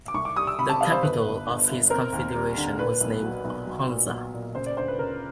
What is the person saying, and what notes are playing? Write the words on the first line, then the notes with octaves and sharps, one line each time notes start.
The capital of his confederation was named "Hunza".
D6
C2 C#6
D6
G3 D#6
E6
C3 B5
A5
G3 F5
C5
G1 B4
G1
G1
G1
C4 A#4
D#2
G3
D3
A#2 B4
B1
F#3
B1
F#3
A#2
F#3
A#2
C#3 C5
D5
D2 C5
B4
C#3 A#4